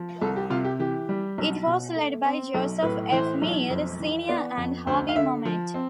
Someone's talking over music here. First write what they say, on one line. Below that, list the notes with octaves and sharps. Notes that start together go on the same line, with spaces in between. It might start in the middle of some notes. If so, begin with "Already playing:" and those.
It was led by Joseph F. Meade, Senior and Harvey Mummert.
Already playing: F3
C2 A4
G4
C3 F4
G4
E3 G4
G3
B1
B2
A3
C4
B1 A4
A2 B4
E3 C5
B1
F2 C5
E3
B3 D5
F2
D2 C5
F5
D3 E5
F3
C4